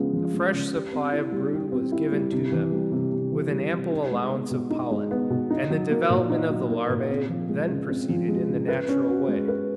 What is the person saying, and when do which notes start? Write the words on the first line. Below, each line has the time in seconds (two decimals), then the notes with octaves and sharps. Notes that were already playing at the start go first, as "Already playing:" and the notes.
A fresh supply of brood was given to them, with an ample allowance of pollen, and the development of the larvae then proceeded in the natural way.
Already playing: C#3 F3 G#3 B3
0.13 F3
0.33 G#3
0.53 C#3
0.73 G4
0.93 C4
1.13 E4
1.32 G3
1.53 G4
1.72 C4
1.92 E4
2.12 G3
2.32 C3
2.52 E3
2.72 G3
2.92 C3
3.12 C3
3.32 E3
3.51 G3
3.71 C3
3.91 D#4
4.11 G#3
4.30 B3
4.51 B2
4.70 D#4
4.91 G#3
5.11 B3
5.30 B2
5.50 D#4
5.70 F#3
5.90 A#3
6.10 A#2
6.30 D#4
6.50 F#3
6.69 A#3
6.89 A#2
7.10 C4
7.29 F3
7.49 G#3
7.69 C#3
7.89 C4
8.09 F3
8.28 G#3
8.49 C#3
8.68 B4
8.88 C#4
9.08 F#4
9.28 G#3
9.48 B4